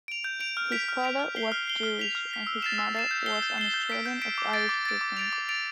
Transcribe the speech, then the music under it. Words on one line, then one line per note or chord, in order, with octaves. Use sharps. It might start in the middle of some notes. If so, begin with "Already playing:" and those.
His father was Jewish and his mother was an Australian of Irish descent.
D7 F7
G6
D7 F7
F6
B6 D7 F7
F6
B6 D7 F7
F6
C7 G7
F6
C7 G7
F6
B6 F7
F6
B6 F7
E6
A6 C7 E7
E6
A6 C7 E7
G6
C7 G7
G6
C7 G7
G6
B6 D7
G6
B6 D7
D6
A6 D7
D6
A6 D7
D6
A6 D7 F7
D6
A6 D7 F7